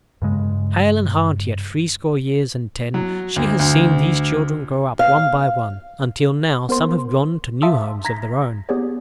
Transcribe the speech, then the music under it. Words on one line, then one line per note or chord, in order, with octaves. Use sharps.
Hale and hearty at three-score years and ten, she has seen these children grow up one by one, until now some have gone to new homes of their own.
G2 C#3 G#3
F#3
D2
D2
F5
B3 A#4 C5 C6
E5 F5 A5 C6 D#6 E6
A#5 G#6 A#6 B6
B3 G4 G#4 C#5 D5